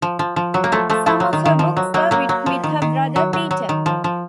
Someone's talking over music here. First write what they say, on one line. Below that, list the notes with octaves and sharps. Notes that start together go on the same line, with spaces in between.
Some of her books were written with her brother Peter.
F3
F3
F3
F#3
A#3
F3 A3
F3 A3
F3 A3
F#3
D#3
D#3
F3
F#3
F#3 A#3
F#3 A#3
F#3
F3
D#3
D#3
F#3
F#3
F#3
D#3
F3
F3